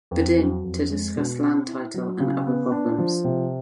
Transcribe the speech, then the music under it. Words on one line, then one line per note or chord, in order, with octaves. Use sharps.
Badin to discuss land title and other problems.
F2
F#3
F2
G#3
B2
C4
E4
F#3
C#3
B3
D4
F3
C3